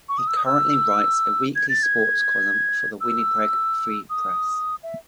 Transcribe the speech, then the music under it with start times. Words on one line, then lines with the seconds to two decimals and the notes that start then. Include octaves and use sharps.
He currently writes a weekly sports column for the "Winnipeg Free Press".
0.09 C#6
0.18 D#6
0.28 E6
0.37 D#6
0.46 E6
1.55 G#6
1.69 A6
1.83 G#6
3.01 E6
4.10 D#6
4.83 E5